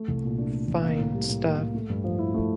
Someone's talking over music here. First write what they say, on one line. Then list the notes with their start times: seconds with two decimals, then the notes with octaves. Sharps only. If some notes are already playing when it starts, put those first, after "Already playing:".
Fine stuff.
Already playing: A3
0.08 C2
0.23 A#2
0.38 D4
0.53 A3
0.68 C2
0.84 A#3
0.99 A2
1.14 G3
1.29 A2
1.44 A#3
1.60 A2
1.75 A3
1.89 G2
2.04 F3
2.19 E4
2.34 A3